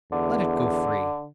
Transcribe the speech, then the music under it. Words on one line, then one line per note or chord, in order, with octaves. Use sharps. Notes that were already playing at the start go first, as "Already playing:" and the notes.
Let it go free.'
E2 D3